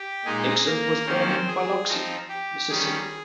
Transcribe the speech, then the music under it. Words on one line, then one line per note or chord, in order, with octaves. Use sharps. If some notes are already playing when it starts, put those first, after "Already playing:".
Nixon was born in Biloxi, Mississippi.
Already playing: G4
A#2 G#3 D#4 G#4
A#3 A#4
D#3 A#3 C4 C#4 C5
G#4
F3 C4 D#4
G4
D#3 G3 C#4 G#4